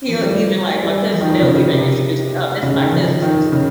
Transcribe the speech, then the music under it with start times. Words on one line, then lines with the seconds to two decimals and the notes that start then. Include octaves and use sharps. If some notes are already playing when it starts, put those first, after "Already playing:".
He'll even like my cousins, they'll even introduce me, "Oh, this my cousin-sister,"
0.08 F3
0.23 G3
0.83 G3
1.13 F3
1.21 D#3
1.29 F3
1.42 C#3
1.72 C3
2.63 C#3
2.77 D#3
2.92 F3
3.22 D#3
3.52 C#3